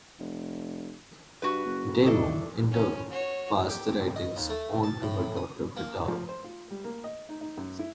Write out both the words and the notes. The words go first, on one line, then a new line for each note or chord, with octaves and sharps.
Damo, in turn, passed the writings on to her daughter Bitale.
F1
G2 F#4 B4
F#1
E3 D4 A4 D#5
C#4
F#4 C#5
G4
D#5
D#2
A3
A5
A2
D#6
A#3
F3
C5
F4
G3
A#3
D#5
D#4
D#4
F#2
E4